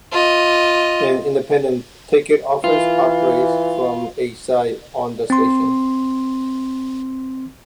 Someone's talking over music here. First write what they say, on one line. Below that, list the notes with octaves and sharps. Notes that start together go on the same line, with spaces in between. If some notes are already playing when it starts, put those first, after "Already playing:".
An independent ticket office operates from a site on the station.
F4 D#5
E3 F4
C4 C6